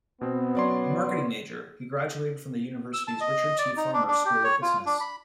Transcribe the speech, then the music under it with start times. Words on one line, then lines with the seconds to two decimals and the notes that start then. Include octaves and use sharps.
A marketing major, he graduated from the university's Richard T. Farmer School of Business.
0.21 B2 B3 C4
0.55 B2 F#3 C#4 C#5 D5 C6
2.94 E6
3.08 A5
3.21 D#5
3.59 D5
3.77 D#4
3.94 D4
4.08 D4
4.25 G4
4.44 C#5
4.62 F4
4.86 D4
5.00 B5